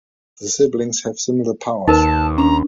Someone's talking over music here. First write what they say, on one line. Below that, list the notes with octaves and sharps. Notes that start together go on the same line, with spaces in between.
The siblings have similar powers.
D#2 D#4 A#4 B4 A5
C#4 D4 A#5